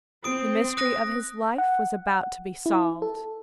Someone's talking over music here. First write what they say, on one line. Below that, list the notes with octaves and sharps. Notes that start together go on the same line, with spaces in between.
The mystery of his life was about to be solved.
C4 D#6 D7
D#6 F#6 A#6
F#5
E4
A4